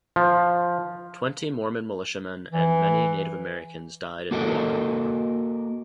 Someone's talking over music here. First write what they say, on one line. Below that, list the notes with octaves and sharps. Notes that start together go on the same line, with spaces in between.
Twenty Mormon militiamen and many Native Americans died in the Walker War.
F3
E3
A#3 F#4 A4 A#4 D#5